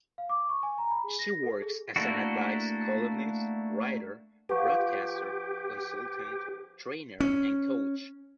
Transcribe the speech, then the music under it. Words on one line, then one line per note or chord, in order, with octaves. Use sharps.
She works as an advice columnist, writer, broadcaster, consultant, trainer and coach.
F5
D6
C#6
G#5
A#5
B5
G#4
A#6
A4
G#4
A3 A#3 D4 E4 F#4
F3 G4 B4 F#5 C#6
C#4